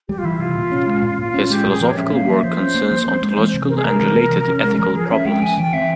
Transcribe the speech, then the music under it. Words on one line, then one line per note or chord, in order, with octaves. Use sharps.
His philosophical work concerns ontological and related ethical problems.
G3 G4
F4
E3 E4
C3 F4
A#2
C#4
G#3
A#2
A#2 F4
C#4
G#3 G4
A#2 G#4
F3 A#4
C#5
C#4 E5
A#3 F5
F3 E5
F3 C5
C#4
A#3
F3
C4
G#3
E3
C3
C4 A#4
G#4
G#3 A#4
E3
C3
F3
C#4
G#3
F3
F3 G#4
C#5
C#4 E5
G#3 G5
F3 G#5
E3 G5
C4 E5